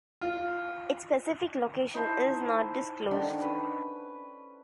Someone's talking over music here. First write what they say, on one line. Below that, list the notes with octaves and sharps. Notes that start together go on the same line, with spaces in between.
Its specific location is not disclosed.
F4
D#4 E4 C5 A5
D3 D#3 D4
C#4 B4